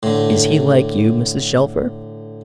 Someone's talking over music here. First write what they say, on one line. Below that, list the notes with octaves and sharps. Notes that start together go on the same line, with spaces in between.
"Is he like you, Mrs. Shelfer?"
A2 D3